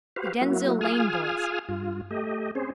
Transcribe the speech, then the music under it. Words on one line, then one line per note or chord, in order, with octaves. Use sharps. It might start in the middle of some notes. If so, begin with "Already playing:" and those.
The Denzille lane boys.
F#4 G4 B4 C5 F5
F#3 A#3 E4 F#4
F4 G#4 F5 G#5 D#6 F6
G2 F4
A3 G4 D#5
C4 C#4 G#4 C5